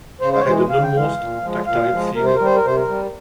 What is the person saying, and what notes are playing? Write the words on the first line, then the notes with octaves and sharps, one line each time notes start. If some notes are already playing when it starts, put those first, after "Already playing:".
I had an almost tactile feeling.
C#3 C5
C5
C#5
E3 G#3 C5
C#3 F5
G5
E3 G#3 F5
A#2
F3 G#3
A#2 F5
F3 G#3
C3 A#4
C5
G3 A#4
C5
A#4
C3 C5
A#4
G3